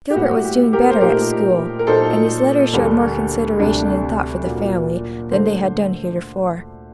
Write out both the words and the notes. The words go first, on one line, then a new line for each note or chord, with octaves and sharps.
Gilbert was doing better at school, and his letters showed more consideration and thought for the family than they had done heretofore.
G4
A2 G3 A#3 F#4
G4
G4 A#4
C5
A#2 A3 D#4 G4 A#4
A#4
A#2 F#3 A#3 D#4 A4 C5
D2 D3 G3 A#3
D2 C3 G3 D4
A#2 F#3 A#3
D3 A3 C5